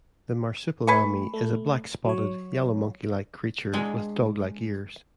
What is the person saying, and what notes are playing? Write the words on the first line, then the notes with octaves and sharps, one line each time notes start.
The marsupilami is a black-spotted yellow monkey-like creature with dog-like ears.
A3 B4 G#5 C#6
A3
F#3 C#5
G#3 D4 G#5